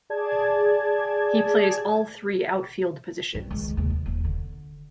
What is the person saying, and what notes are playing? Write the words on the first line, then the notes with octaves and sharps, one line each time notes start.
He plays all three outfield positions.
G#4 D5 A5 G#6
G2 G3
C#2 D#3
D#2 C#3
D#3
D#1
D3